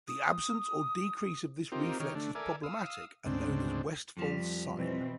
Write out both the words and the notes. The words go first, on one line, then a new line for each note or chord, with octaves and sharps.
The absence or decrease of this reflex is problematic, and known as Westphal's sign.
D#6
C4 D#4 F4 G4 A#4
D#3 D#4 G4 C#5 F6
D3 A3 D4
A4 A#4 D5 E5 G#5
F5 D#6 E6
D2 G#2 C#3 C4 D4
F2 F3 G3
B2 E3 C4